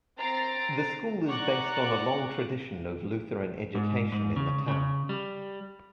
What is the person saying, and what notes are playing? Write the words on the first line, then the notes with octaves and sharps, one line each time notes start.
The school is based on a long tradition of Lutheran education in the town.
C4 A#5 A6 C7 D7
D5 F#5 A#5 C#6 D6 F#6
G#2
G#2
C#3
C#3
G3